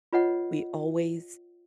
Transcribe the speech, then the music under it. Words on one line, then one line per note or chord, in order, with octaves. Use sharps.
we always,
F4 B4 C#5 D#5 F#5